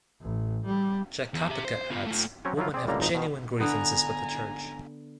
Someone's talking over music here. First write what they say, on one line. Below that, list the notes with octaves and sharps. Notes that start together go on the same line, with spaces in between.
Jack Kapica adds Women have genuine grievances with the Church.
A1
G3
E2
G4 E5
C5
B3 F4
A3 F4
F#3 C4 C#4 C#5 G5
F3 F#3 E4 F4
C4 G#4 D5
C#2 A2 D3 G3 A#3 A#5
G#1 C#2 F3 D#4 A#5
B2 D#3
D3 B3 G#5 A#5